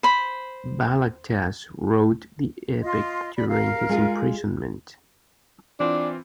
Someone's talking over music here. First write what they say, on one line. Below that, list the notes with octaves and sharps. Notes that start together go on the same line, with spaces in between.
Balagtas wrote the epic during his imprisonment.
C5 B5
F4 D#5 C6
D5 B5
A#4 F5
G#3 F4 G#4
E3 C4 D4 F4